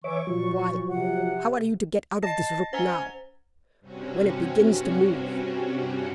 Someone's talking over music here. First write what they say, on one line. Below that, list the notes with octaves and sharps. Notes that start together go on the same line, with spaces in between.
"Why, how are you to get out of this ruck now, when it begins to move?"
E3 C#5 E5 C#6 D6
A#2 F3 F#3
C3 F#5
D#5 A5 A#6
C#4 C5 A#5
G2 C3 C4 C#4 F#4